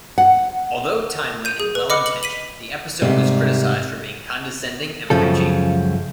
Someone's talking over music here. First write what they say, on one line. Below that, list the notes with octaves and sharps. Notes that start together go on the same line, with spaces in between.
Although timely and well-intentioned, the episode was criticized for being condescending and preachy.
F#5
G6 D#7
G#4
B4
D#5 B5 D6 F6 C#7
F#7
B6 D#7 F#7
G#2 C3 G3
C#2 F#2 C#3 F3 A4